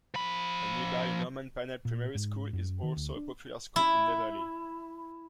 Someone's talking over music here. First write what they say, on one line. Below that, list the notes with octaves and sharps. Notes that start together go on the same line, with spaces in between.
The nearby Norman Pannell Primary School is also a popular school in Netherley.
F3 B5
A#2
G#2
F#2
D#3
D2
D4
E4